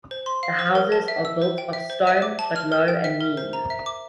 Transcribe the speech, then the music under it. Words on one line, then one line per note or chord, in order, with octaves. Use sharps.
The houses are built of stone, but low and mean.
C5
C6
F5
C5
A#4
A5
E5
E6
C5
G5
E5
C5
E5
D6
A5
F6
A#4
G5
E5
A#4
C5
A#5
E5
D6